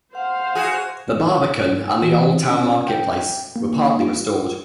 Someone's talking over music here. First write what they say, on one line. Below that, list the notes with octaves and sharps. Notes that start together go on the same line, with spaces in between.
The Barbican and the Old Town Market Place were partly restored.
C5 F5 F#5
F#4 G#4
E3
C#4
G5
A#3
F4